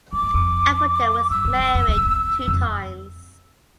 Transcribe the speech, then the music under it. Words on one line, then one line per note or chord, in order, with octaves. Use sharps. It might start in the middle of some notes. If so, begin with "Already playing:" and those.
Appleton was married two times.
F2 D6
G2
F2
G2 E6
F2
F2
F2
E2
F2
E2
F2